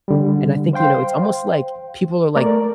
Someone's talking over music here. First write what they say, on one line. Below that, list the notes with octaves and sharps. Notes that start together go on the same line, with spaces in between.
And I think, you know, it's almost like people are like
D3 G3
C5 F5 G5 C6
A3 A#4 D5